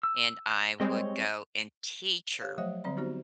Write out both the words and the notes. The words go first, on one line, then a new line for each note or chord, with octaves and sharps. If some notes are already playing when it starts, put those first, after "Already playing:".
and I would go and teach her.
E6
G3 G#3 C4 C#5 D#5
G4 C#5 F5
F3 F#3 A3 C5 C#5 F5
D3 F#3 G3 C4 D5 B5
B3 D#4 F#4 G4 C5